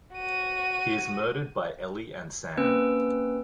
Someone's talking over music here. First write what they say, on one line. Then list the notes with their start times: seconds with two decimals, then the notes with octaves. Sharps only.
He is murdered by Ellie and Sam.
0.14 F#4 D#7
2.57 A#3 C4 C#4 B4 E6 D7